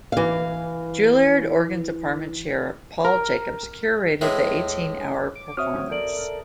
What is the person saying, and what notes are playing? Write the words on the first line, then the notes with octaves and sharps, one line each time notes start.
Juilliard Organ Department Chair, Paul Jacobs, curated the eighteen-hour performance.
E3 F5
A#4
A2 E3 G#3
D6
C4 F#4 C#5 E5 D#6 F6
A4 A#4 D5 D7 F#7